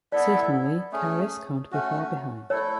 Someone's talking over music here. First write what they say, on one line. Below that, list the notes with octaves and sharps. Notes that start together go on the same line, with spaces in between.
Certainly, Kharis can't be far behind.
B3 E4 A4 D5 E5
A3 C#4 G#4
A3 C#4 F#4
A3 E4 A4 C#5